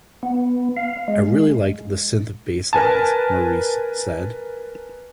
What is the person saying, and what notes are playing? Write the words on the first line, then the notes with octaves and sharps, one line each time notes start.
"I really liked the synth bass lines", Maurice said.
B3
F5
G#3
A#4 B4 G#5 A5